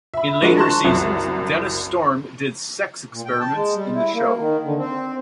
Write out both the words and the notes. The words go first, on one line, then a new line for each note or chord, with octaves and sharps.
In later seasons, Dennis Storm did sex experiments in the show.
E5 B5
F3 G#3 D4 F#4 A#4
A5 A#5 C6 C#6 F#6 E7
F#1 C2 F#2
A#2
G5
A5
G#3
G3
E4
A#3
D#3
D3
C4